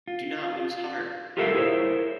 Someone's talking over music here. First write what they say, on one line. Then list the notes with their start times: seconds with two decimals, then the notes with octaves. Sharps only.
Do not lose heart!
0.08 F4
1.37 F4 G4 A4 A#4 E5 F5
1.55 E4 G#4 A#4 C5 C#5 E5